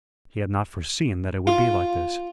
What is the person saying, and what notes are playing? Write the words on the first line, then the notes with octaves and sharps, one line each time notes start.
He had not foreseen that it would be like this.
F4